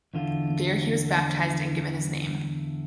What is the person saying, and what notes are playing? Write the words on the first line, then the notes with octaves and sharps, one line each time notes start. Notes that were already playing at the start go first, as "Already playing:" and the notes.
There he was baptized and given his name.
E2 D3 F4